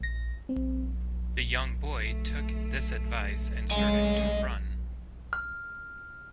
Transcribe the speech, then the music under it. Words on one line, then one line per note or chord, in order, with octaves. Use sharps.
The young boy took this advice and started to run.
A#1 A#6
C4
A3
C#3 G#3 A3 D#5 G#5
F6